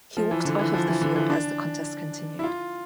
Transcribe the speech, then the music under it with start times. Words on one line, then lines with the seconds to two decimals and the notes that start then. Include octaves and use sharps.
He walked off of the field as the contest continued.
0.17 F3
0.31 E3
0.45 D3
0.59 E3
0.74 F3
0.88 E3
1.02 D3
1.16 E3
1.30 D4
2.39 E4
2.43 F4